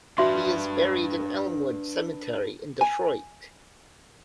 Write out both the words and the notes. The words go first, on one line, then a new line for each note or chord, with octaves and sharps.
He is buried in Elmwood Cemetery in Detroit.
D4 F#4 B4 E5 C6
G#5